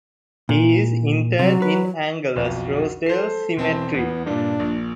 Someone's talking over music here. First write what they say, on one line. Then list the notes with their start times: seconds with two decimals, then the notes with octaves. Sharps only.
He is interred in Angelus-Rosedale Cemetery.
0.49 A#2
1.39 C3 F#3
1.62 B4
2.36 B1 F2 F#4
3.06 A4 C5 C7
3.57 E1 E3 C4 A5
3.94 E2 B3
4.26 G2 A#2 D4
4.60 A#1 A#2